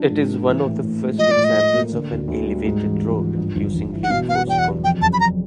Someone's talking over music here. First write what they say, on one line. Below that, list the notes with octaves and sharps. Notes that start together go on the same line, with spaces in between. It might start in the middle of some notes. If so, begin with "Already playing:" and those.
It is one of the first examples of an elevated road using reinforced concrete.
Already playing: F3 D4
G#2
A#3
E3
A2
A2
G#3
F3 D#5
D5
A2
D#5
A2
A#3
D3
D2
D2
G3
G#2
A1
A1
F3
G2
G1
G1
E3
F#5
B2 F5
B3 F5
F#5
E2 G5
F#5
F#3
F2 G5
F#1 A5
B5
F#1 A#5